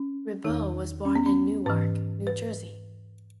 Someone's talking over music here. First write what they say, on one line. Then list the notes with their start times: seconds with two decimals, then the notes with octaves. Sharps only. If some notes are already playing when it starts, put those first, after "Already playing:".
Ribot was born in Newark, New Jersey.
Already playing: C#4
0.44 E2 D#3 D#4
1.05 C#4
1.16 B3
1.26 C#4
1.66 G#2 E3 B4
2.27 B4